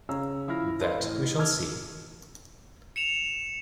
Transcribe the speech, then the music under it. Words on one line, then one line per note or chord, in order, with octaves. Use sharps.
That we shall see.
C#3 C#4 C#5 F5 A#5 E6
F3 E4 F5 B5 F6 A#6
A4 B4 C5 D5 F5 C6
A2 E3
D#4
A5 D6 E6 F6 G#6
C#7 E7 F7